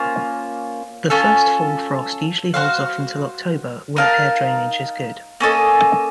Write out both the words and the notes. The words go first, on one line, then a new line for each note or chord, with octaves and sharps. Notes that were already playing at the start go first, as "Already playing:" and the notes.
The first fall frost usually holds off until October where air drainage is good.
Already playing: A#3 C#4 F4 C5
C#4 F4 A4
F#4 C5 F5
D#4 A#4 F5 A5
A#3 C#4 A4 D#5